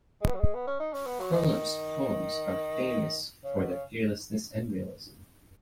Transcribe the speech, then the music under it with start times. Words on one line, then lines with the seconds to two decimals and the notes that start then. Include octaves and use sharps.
Choinom's poems are famous for their fearlessness and realism.
0.21 G#3
0.27 B3
0.35 F#3
0.40 G#3
0.54 B3
0.67 C#4
0.79 D#4
0.93 C#4
1.06 B3
1.20 F#3
1.33 D#3
3.44 C#3
3.57 B2
3.71 C#3